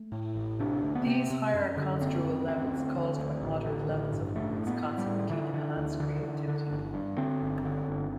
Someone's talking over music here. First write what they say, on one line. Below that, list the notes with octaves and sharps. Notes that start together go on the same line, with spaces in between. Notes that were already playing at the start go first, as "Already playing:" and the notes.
These higher construal levels caused by moderate levels of noise consequently enhance creativity.
Already playing: A3
A2
A1
C3 D4
D2
B3
C3 C4
C3
F#2
D3
F#1 C4
F#2
D2 C4
D2
D3
D2
A1
D3
A1
G2
A1 A3
A2
B3
A2
G3
A2
D3 E3
D3
D2
D3
D3
D3
G1
G2
D3 C4
G1
D3
G1